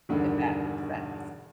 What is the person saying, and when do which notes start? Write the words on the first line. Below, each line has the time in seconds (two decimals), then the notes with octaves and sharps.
If that makes sense.
0.09 E1 E2 G2 D3 D#3